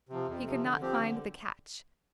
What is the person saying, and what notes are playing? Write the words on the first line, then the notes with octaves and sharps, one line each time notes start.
He could not find the catch.
C3 F3
F2
C3 F3
D3
F3 C4 G4
D3